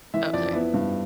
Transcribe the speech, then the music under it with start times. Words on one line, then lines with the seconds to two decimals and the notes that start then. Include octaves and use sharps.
oh, sorry.
0.14 E3 E5
0.33 F2 D5
0.53 B3 E4
0.74 G2